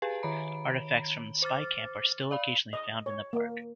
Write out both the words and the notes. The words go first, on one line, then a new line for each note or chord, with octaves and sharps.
Artifacts from the spy camp are still occasionally found in the park.
G4 G#4 B4 F5 G#5
D#3 C#5 A#5 B5 D7
C5 D6 F6 A6
D5 F5 B5
D#5
C#5
A#3